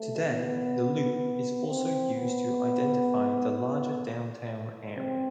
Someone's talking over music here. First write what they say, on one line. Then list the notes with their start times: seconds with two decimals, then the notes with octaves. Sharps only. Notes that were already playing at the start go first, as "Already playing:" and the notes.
Today, the Loop is also used to identify the larger downtown area.
Already playing: A3
0.26 B3
1.68 C4
2.14 B3
3.56 B3
4.97 C4